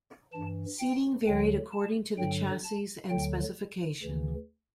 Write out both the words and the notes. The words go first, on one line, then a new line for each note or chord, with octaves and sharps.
Seating varied according to the chassis and specification.
G2 E3 A5
G5
D2 D3 F#3 G5
A5
G2 D3 F#3 G5
A5
D2 D3 F#3 G5
D2 C#3 E3